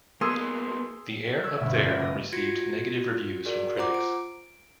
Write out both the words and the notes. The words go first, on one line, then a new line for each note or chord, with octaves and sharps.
"The Air Up There" received negative reviews from critics.
C2 A#3 B3 G#4 C6 E6
C#6 E6 F#6 G#6
G1 B2 A3 E5
C#4 F4 F#4 A4 C5 D5
G#3 A#3 C#4 A#4 B4 E5
F#1 D#5
F4 F#4 G#6 A#6 C#7 D7
F#4 G#4 A#4 D5
F4 C5 F#5 A#5 D6
D7